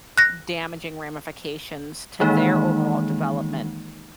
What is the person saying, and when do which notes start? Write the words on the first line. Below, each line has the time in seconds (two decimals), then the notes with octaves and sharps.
damaging ramifications to their overall development
0.18 F#6 A#6
2.20 D#3 E3 G#3 A#3 D#4